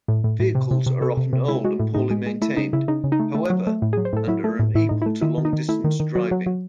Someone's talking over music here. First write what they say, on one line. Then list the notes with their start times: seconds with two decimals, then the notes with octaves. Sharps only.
Vehicles are often old and poorly maintained, however, and are unequal to long-distance driving.
0.08 A2
0.24 A2
0.40 A2
0.55 C3
0.71 C3
0.86 C3
1.01 C3 A4
1.17 C3
1.33 C3
1.48 G#3 E4
1.64 G#3 F#4
1.80 A2
1.95 A2 D#4
2.10 G#3
2.26 G#3
2.42 A3 E4
2.57 C#3 D#4
2.73 C#3 E4
2.88 C#3 D#4
3.04 C#3
3.12 D#4
3.20 A3
3.35 A3
3.50 F#3
3.67 A3
3.82 A2
3.93 F#3 G#4
4.05 C5
4.13 A2 A4
4.28 F#3 E4
4.44 A3
4.59 A2
4.75 A2 E4
4.89 A2 D#4
5.02 A3 E4
5.21 D#3 E4
5.38 D#3
5.45 D#4
5.53 D#3
5.69 A3 E4
5.84 D#3
6.00 D#3
6.15 F#3 F#4
6.31 F#3
6.46 F#3